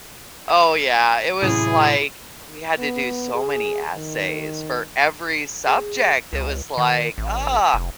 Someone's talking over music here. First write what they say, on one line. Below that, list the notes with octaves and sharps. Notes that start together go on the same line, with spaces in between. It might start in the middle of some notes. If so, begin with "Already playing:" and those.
Oh yeah, it was like, we had to do so many essays for every subject, it was like, oh,
A1 A2 C3 F#3 E4 G#4
B3
G#4
D#3
G#4
C#2
D#3
A1
F1